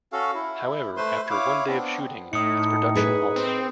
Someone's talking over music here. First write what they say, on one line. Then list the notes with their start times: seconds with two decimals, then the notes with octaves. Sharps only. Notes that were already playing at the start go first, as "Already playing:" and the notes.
However, after one day of shooting its production halted.
0.12 C#4 F#4 A4 F5
0.35 E4
0.97 A3 B4 C5 C6
1.31 E4 C#5 F5 D6
1.67 B3 C4 D4
2.33 A2 D#4 D#6 C#7
2.95 G#4 B4
3.36 C4